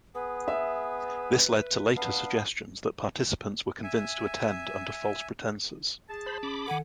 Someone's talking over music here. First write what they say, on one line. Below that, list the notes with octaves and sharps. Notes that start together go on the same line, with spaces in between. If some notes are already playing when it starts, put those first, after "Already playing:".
This led to later suggestions that participants were convinced to attend under false pretenses.
B3 G#4 B4
E5
B3 D4 B4 F5
E5 G#5
G#4 A5
C5 B5
C#4 B5 D6
D#3 A4 F#5 G#5